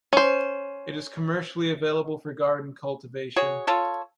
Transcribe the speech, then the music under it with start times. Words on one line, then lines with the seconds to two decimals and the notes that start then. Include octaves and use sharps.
It is commercially available for garden cultivation.
0.13 C#4 C5
3.36 F#4 G#4 C#5
3.67 F4 A4 C#5